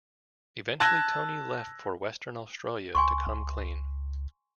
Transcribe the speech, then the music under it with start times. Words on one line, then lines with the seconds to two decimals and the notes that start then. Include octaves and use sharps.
Eventually Tony left for Western Australia to come clean.
0.80 A5 E6 F#6 G#6 A#6
2.95 C#2 G#5 C6 C#6